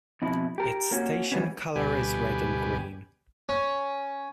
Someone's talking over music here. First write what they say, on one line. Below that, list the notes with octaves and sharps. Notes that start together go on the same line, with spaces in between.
Its station colour is red and green.
F2 B2 E4
G4 A#4
A#3 C#4 F#4
E3 G3 A3 B3 C#4
D2 B2 G3 G4 B4 G#5
C#4